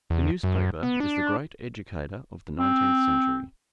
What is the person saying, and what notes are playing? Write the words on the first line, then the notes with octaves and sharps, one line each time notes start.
The newspaper is the great educator of the nineteenth century.
E2
F#2
B3
D4
C4